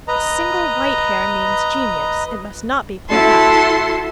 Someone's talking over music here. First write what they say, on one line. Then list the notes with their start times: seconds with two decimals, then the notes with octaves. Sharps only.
A single white hair means genius; it must not be pulled out.
0.08 B4 D#5 A#5
3.09 E4 F#4 A4 C6